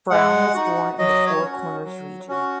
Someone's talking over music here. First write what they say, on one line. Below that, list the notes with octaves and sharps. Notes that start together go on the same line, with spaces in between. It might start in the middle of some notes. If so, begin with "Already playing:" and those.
Brown was born in the Four Corners region.
G#3 F#5
D#4 F#4
F#3 D#5
C#5
C#4 F#4
F#3
C#4 F#4